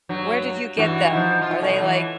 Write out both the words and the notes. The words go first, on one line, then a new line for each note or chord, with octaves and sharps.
Where did you get them? Are they, like,
G2 F#3
G2 E3 F#4
F3 D#4 E4
F4
B2 A3 C#4
E3